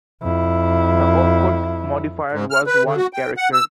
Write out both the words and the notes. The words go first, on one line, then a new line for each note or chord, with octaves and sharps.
The opcode modifier was one character.
F2 E4
G#2
F6
B4
D3
F#4
G5
F#5
E6